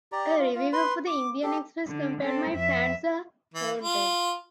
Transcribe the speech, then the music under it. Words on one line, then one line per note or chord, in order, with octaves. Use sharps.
A reviewer for the Indian Express compared My Pants are Haunted!
G4 D5 A#5
F4
F4
B4 C6
D6
G4 A4
D3
C4 A4
F2 E5
E3
F4